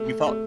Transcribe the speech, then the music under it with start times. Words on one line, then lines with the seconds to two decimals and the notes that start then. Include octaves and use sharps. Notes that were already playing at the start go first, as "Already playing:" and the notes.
you felt
Already playing: A3
0.26 A3